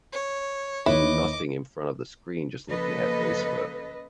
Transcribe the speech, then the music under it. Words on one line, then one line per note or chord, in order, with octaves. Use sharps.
doing nothing in front of the screen just looking at Facebook.
C#5
D#2 E4 B4 C#5 D#5 D6
C#3 F3 A#3 A4 B4 D#5